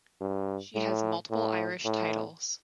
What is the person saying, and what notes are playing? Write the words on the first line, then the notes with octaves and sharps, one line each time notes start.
She has multiple irish titles.
G2
A2
A2
A2